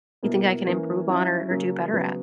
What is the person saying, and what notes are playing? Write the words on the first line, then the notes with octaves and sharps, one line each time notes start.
you think I can improve on or or do better at?"
B2 A#3 E4
E3 A#3 C#4
F#3 C#4 E4
C#3 F#3 A#3
C#3 F#3 B3